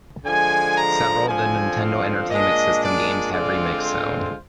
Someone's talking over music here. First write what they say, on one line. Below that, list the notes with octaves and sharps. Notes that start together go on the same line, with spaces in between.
Several of the Nintendo Entertainment System games have remixed sound.
D3 F3 G#3 G#5
A#5
D3 F3 C4 G#5
F5
A#2 G#3 D4 D#5
D5
D3 G#3 C4 F4 D5
C5